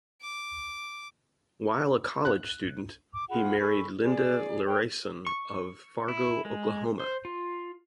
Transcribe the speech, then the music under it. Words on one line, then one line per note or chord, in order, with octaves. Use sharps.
While a college student, he married Linda Larason of Fargo, Oklahoma.
D6
F#6
D6
F4 G#4 F#5 B5
G#4 A4 B5 C#6
G#4 D5
A#4 C#5 G5
C#6
E4
G#3
C5
F4